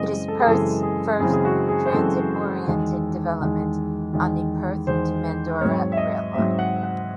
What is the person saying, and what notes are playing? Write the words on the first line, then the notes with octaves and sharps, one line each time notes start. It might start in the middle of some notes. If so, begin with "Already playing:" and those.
It is Perth's first transit-oriented development on the Perth to Mandurah rail line.
Already playing: F#2 C#3 E3 G#3 C4 D#5
A4
G#4
F#2 C#3 E3 G#3 C4 A4
G#4
F#2 C#3 E3 G#3 C4 G#4
G#4
F#4
G#4
C5
F#2 C#3 E3 G#3 C4 A4
E2 D#3 G#3
E2 D#3 G#3
E2 D#3 G#3
E2 D#3 G#3 C5
G#2 F#3 C4 C#5
E5
D#5
G#2 F#3 C4 E5
F#5
F#5